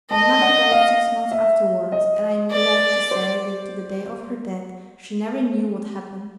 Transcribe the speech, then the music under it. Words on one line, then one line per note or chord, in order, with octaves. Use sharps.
My mother died six months afterwards, and I am glad to say that to the day of her death she never knew what happened.
D#5 A5
F#5
F5
E5
D#5
D5
C5